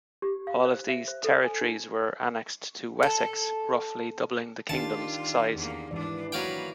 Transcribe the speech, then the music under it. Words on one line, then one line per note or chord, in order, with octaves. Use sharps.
All of these territories were annexed to Wessex, roughly doubling the kingdom's size.
G4
F5
C5
E5
C5
A4
G#5
D#4
A4
D#3 D4 F4 G4 A5
E2 A#3
G#2 E3 D4 D5
F#3 A#3 B4 F5 G5